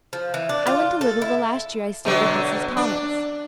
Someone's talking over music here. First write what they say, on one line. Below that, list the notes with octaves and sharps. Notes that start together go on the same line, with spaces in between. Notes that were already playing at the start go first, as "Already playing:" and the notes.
I went a little the last year I stayed with Mrs. Thomas.
F3
E3
D4
F4
A4
E4
B2 D3 F#3
D4